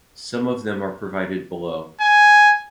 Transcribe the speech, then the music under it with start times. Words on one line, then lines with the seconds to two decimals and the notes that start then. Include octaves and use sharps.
Some of them are provided below.
2.01 G#5